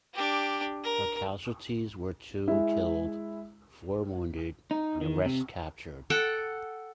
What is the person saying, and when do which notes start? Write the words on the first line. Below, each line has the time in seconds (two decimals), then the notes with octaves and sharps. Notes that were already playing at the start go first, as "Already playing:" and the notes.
Her casualties were two killed, four wounded, and the rest captured.
0.14 D4 G4
0.84 A#4
2.48 G#3 E4
4.71 D#4
5.01 D#3
5.26 C3
6.10 A4 F#5 G5